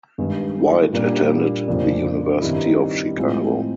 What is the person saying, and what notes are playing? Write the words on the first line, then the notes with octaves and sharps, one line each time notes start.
White attended the University of Chicago.
G2 D#3 G#3 B3
A#2 G3 A#3 D4 G4
F2 C#3 F3 A#3 D4
G2 D#3 G3 C4 E4
A2 F3 G#3 C4 E4